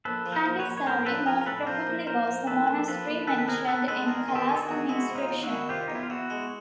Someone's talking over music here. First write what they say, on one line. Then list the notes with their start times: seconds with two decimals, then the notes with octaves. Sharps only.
Candi Sari most probably was the monastery mentioned in Kalasan inscription.
0.05 A#1 A4 B4
0.26 F3
0.32 A#4 C5
0.46 A#1
0.59 B4 C#5
0.66 A#1
0.77 C#5
0.86 A2 A#4 C5
1.06 F3 A4 B4
1.26 F3 G#4 A#4
1.41 A#4
1.46 A2 A4 B4
1.66 F3 A#4 C5
1.87 A#1
2.07 A#1 A#4 C5
2.28 A#1
2.47 A#1 A4 B4
2.68 A#1
2.88 F3 A4 B4
3.08 A#1
3.27 D#3 A4 B4
3.38 B4
3.48 C3 G#4 A#4
3.68 C3 A4 B4
3.88 G#3 A4 B4
4.08 E2 G#4 A#4
4.28 D#3
4.35 G4 A4
4.49 D#3
4.56 A4
4.62 F#4 G#4
4.69 E2
4.89 G#3 E4 F#4
5.09 C3
5.15 D#4 F4
5.29 E2
5.43 E4 F#4
5.50 D#3
5.69 C3 F4 G4
5.88 E2 D#4
5.95 E4
6.03 F4
6.10 E2 E4 F#4
6.30 G#3